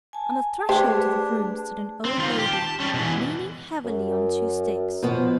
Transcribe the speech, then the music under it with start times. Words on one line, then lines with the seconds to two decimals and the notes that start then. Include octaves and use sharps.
On the threshold of the room stood an old lady, leaning heavily on two sticks.
0.13 G#5 A5
0.57 A5
0.69 A3 D4 G4 G#4 B4 C5
2.05 C4
2.18 D#3 F4
2.38 G4
2.53 A5
2.80 G3 C#4
2.94 B2 E3
3.85 F#2
5.03 B2 F3 B3